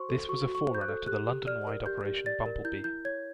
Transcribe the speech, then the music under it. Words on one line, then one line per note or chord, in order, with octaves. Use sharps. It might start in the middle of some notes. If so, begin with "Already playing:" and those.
This was a forerunner to the London - wide Operation Bumblebee.
Already playing: F#4 C5 C6 C#6
A4
F#4 C#6
F#4
C#6
C5
G6
F#6
A4
G4 F#6
G4
D5 F6
A#4
G4 G6
G4
D5 A6
A#4
E4 G6
E4 G6
C#5 G#6